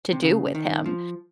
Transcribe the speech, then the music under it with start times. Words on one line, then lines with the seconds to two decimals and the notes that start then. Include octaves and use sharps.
to do with him,
0.13 C3
0.22 C#3
0.55 D#3
0.86 F3